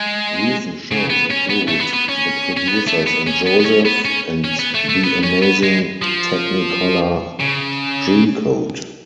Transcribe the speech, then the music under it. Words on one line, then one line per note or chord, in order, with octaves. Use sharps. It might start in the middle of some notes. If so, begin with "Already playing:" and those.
Recent shows include The Producers and Joseph and the Amazing Technicolor Dreamcoat.
Already playing: G#3
C#3
B3
C#4
B3
A3
B3
B3
C#4
C#4
B3
A3
B3
C#4
B3
B3
C#4
B3
C#4
C#4
B3
A3
A3
B3
C#4
B3
G#3
F3
C#3